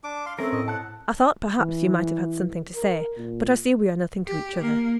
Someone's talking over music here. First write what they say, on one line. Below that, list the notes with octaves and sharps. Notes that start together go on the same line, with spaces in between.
I thought, perhaps you might have had something to say, but I see we are nothing to each other.
D4 D6
F5 C6
A3 C4 C#4 A4 A#4
A2 D#5
F#5 A5 F#6
E3
A#4
A#2
G4
A#3